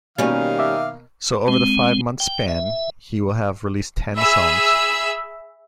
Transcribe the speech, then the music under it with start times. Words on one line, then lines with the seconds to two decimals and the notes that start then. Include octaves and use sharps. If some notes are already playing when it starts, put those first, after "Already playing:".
So over the five-month span he will have released ten songs.
0.18 B2 D#3 G3 A#3 C#4 F5
0.59 E5 D6
1.48 G#3 C4
2.20 G5
2.48 E5
4.18 G#4 E5 B5 E6